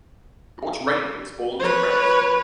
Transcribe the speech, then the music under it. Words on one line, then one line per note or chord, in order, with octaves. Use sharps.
George Rainy was born to Rev.
B4 C#5